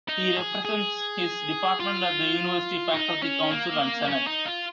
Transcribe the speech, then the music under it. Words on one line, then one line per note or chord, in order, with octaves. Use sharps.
He represents his department at the University Faculty Council and Senate.
D#4
G#4
G#4
F4
D#4
C#4
A#3
C#4
D#4
F4